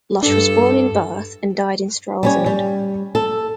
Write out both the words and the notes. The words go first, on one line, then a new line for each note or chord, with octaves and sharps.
Losch was born in Barth and died in Stralsund.
G2 D4 A4
G3 C#4 C#5
G3
A4